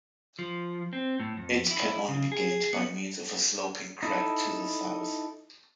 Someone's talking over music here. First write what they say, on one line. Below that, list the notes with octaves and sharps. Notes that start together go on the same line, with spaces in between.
It can only be gained by means of a sloping crack to the south.
F3
C4
A2
F2
E4
C#3
G#4
B3
D#4 E4 A4